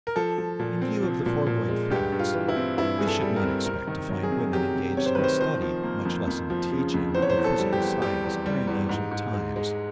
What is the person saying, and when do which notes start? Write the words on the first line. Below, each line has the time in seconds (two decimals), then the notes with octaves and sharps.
In view of the foregoing facts, we should not expect to find women engaged in the study, much less in the teaching, of physical science during ancient times.
0.07 A#4
0.16 F3 A4
0.38 F3
0.59 A#2
0.81 C4
1.03 F3
1.26 A#2
1.47 A#2
1.68 G#3
1.90 G2 G4
2.12 G2
2.19 F4
2.34 E3
2.48 E4
2.56 C4
2.78 G2 E4
2.98 G2 G#4
3.07 A4
3.22 G3
3.36 A#4
3.44 C4
3.65 C3 A#4
3.87 D#3
4.09 F#3
4.23 G#4
4.32 C3
4.53 F#3 G4
4.75 C3
4.97 C3 C#5
5.06 C5
5.15 D#3 B4
5.24 C5
5.41 F3 C5
5.62 F3
5.83 A#3
6.05 F2
6.27 F2
6.50 F3
6.72 C#3
6.94 F2
7.14 E2 C5
7.22 C#5
7.30 C5
7.37 E2
7.44 A4
7.59 G3
7.73 G4
7.80 E2
8.02 G3 G4
8.24 E2
8.46 G3
8.67 E2
8.89 G#2
9.11 G#2
9.33 G#3
9.56 G#3